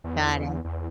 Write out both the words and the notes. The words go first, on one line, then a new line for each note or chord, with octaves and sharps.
Got it.
E2
E2